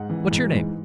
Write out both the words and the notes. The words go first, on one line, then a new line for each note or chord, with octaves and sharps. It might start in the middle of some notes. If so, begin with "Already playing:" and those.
What's your name?'
Already playing: G#2 F#5
E3
G#2
G#2